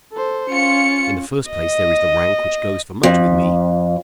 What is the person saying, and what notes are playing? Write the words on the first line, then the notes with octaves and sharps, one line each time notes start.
In the first place there is the rank which goes for much with me.
A4 C5
C#4 F4 C#7
D#5
F2